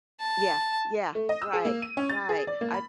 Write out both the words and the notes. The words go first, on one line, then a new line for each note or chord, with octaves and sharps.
Yeah, yeah, right, right I It's
A5
A3
D#5
E6
G#4
A#3
D#7
C#4
A6
G#4
D5
A#3
B5